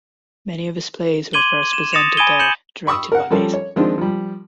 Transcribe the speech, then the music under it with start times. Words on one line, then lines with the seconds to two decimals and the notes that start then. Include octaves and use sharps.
Many of his plays were first presented there, directed by Mason.
1.33 C6 D6 G#6 D#7 F#7 G7
1.73 E7
1.93 D#6 A6 A#6 C#7 E7 F7
2.17 G#5 B5 D#6 G#6 D#7 G7
2.40 G6 C#7 E7 F#7
2.87 B5 C#6 D#6 E6
3.12 A#4 F#5
3.30 F3 G3 C#4 F4 A4 A#4
3.54 C#5
3.76 D#3 F3 G#3 C4 D4 F4
3.98 F3 G3